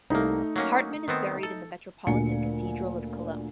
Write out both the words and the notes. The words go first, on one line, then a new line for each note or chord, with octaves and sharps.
Hartmann is buried in the metropolitan cathedral of Cologne.
C2 A3 A#3 D#4
F#3 A#3 C#4
D#3 B3 C4
A4
D2 A#2 G#5 C#7